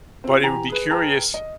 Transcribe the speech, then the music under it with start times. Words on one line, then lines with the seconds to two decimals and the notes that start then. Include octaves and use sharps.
but it would be curious
0.24 C4 F4
0.43 E3 G4 G#5 A#5 F7
0.70 G#4 B4
0.91 G#4 B4 G5 A5 A#5 F6
1.34 D#5